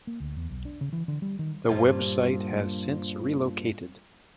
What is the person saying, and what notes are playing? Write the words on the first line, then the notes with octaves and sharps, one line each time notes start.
The website has since relocated.
A#3
D2
E2
B1
D4
C#3
E3
D3
G3
D#3
G2 A#2 F3